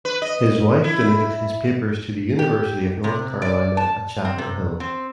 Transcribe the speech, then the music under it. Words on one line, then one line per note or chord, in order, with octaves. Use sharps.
His wife donated his papers to the University of North Carolina at Chapel Hill.
B4
D#5
E4
G4
C3
D5
A5
C4
C3
C4